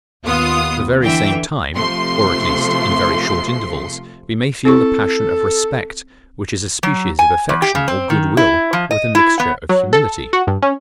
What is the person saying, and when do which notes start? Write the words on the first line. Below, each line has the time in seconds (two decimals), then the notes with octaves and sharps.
At the very same time, or at least in very short intervals, we may feel the passion of respect, which is a species of affection or good-will, with a mixture of humility.
0.24 D#2 B3 F4 D#6
1.01 D3 E3 E5 G5
1.75 C3 F3 A3 C6 C7
4.65 C4 E4 A4 C#6
6.83 F#3
7.19 G#5
7.49 E2
7.62 G4
7.75 C#3
7.88 C4
8.10 D#3
8.37 E4
8.73 F3
8.91 D#5
9.15 E4
9.40 B3
9.69 F#3
9.93 A4
10.33 F#4
10.47 G2
10.62 C#4